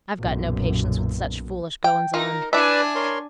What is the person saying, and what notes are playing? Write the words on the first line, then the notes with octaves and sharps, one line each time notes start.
"I've got no patience with such foolish goin's-on."
B1 F#2 A#2
G5
D#4 F4 A#4
D4 E4 B4 D5 E5 G#5 A5
A#4 C#5 C6